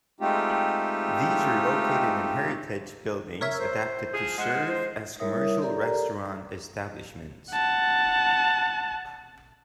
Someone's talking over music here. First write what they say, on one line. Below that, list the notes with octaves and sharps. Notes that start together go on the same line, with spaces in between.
These are located in heritage buildings adapted to serve as commercial restaurant establishments.
G#3 A3 C4 D#4 F4 G4
A#4 C#5 E5
C5
F3 G#4
F3 G#3 F#5
C5
G3 E4 A#4 C#5 E5 D#6
G4 A4 A#4 D5 A#5
F#5 A5